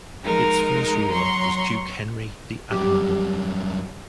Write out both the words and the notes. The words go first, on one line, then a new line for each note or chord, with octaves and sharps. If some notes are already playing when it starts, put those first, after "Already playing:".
Its first ruler was Duke Henry the Admirable.
F3 G#3 D#4 A#4
F#3 A#5 C6 C#6
F#2 G3 G4